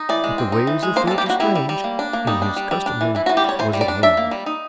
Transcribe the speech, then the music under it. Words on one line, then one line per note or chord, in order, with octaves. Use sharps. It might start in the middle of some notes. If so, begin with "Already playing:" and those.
But the ways of Fate are strange, and his customer was at hand.
Already playing: D#4
E3 D5
G#3
C4
D#4
E3
G#3
A#3 C5
A4
G3
G4
A#3 F#4
G3 E4
G3
G3
A#3
D4
A#3
G3 D#4
D4
G3
G3
D4
E3
E3 E4
F#4
E3
G4
G3 C#5
E3 C5
G3
D5
D4
D4 E5
A#3
G3
D#4